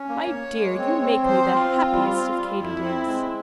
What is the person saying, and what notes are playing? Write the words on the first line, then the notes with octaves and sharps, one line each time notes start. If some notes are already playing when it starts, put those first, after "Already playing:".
"My dear, you make me the happiest of Katy-dids."
Already playing: C#4
A#3
C#5
A#3
G#3
C4
C4
F3 C5
C4
F4
C4
G3
C4
G3
F2 E4
C4
G#3